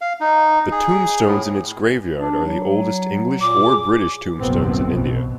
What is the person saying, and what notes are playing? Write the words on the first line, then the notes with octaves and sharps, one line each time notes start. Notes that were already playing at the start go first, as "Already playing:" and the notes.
The tombstones in its graveyard are the oldest English or British tombstones in India.
F5
D#4
G#4
A2
D4
F#3
A#2 D6
G#4
F#1 B1 A2 B3 C4
A1 B2